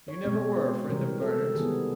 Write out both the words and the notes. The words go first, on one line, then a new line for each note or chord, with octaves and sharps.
"You never were a friend of Bernard's."
C#5
B2 G#3 C4 C#5
C5
C3 E3 G3 A#4
A4
D#3 G3 B3 G#4